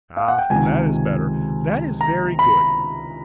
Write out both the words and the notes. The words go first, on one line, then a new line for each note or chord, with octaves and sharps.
Ah--that is better, that is very good.
F5
F#5
G5
C#2 C3 D#3 G#5
A#5
B5